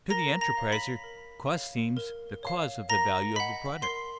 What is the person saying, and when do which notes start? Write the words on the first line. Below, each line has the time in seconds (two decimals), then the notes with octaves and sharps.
To the enterpriser, cost seems the cause of the value of a product.
0.10 A#4 A#5 A#6
0.41 A#5 A#6
0.57 C#5 F5
0.72 B5 B6
1.04 A#4
1.50 C#5 F5
1.97 A#4
2.43 C#5 F5
2.90 A#4 A#5 A#6
3.36 D#5 F#5 B5 B6
3.82 A#4 C6 C7